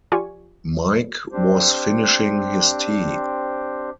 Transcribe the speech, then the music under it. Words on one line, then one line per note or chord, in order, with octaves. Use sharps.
Mike was finishing his tea.
F3 F4 G4 D5 G#5 C#6
C4 D4 G4 C5